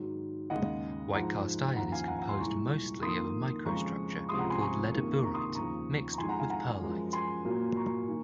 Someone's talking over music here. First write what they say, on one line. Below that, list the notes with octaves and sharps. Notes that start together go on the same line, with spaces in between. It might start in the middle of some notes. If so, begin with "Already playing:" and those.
White cast-iron is composed mostly of a microstructure called ledeburite mixed with pearlite.
Already playing: G#2 D#3 F#3
D#2 C#3 G#3 D#5 F#5
G#2 F3 G#3 F#5 A#5
D#2 C#3 F3 F#5 A#5
F5 G#5
F#5 A#5
F#5 A#5
G#5 C6
C2 A#2 G#3 A#5 C#6
F2 D#3 A#3 C6 D#6
F2 C#3 F3 G#3 A#5 C#6
C#2 C3 F3 G#3 C6 D#6
F#5 A#5
G#5 C6
A#5 C#6
C#2 C3 D#3 A#3
A#5 C#6
C6 D#6
D#2 C#3 F3 A#5 C#6
A#5
F2 D#3 G#3 G#5 C6
F#5 A#5
F5 G#5
F#5 A#5
F#2 F3 G#3
G#5 C6
A#2 F#3 A#3
A#5 C#6
D#3 A#3